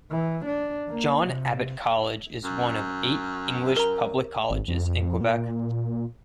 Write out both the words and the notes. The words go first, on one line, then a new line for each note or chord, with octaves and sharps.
John Abbott College is one of eight English public colleges in Quebec.
E3
D4
A#3
C3
F#2
A#4 A#5
G#1
F2
A#2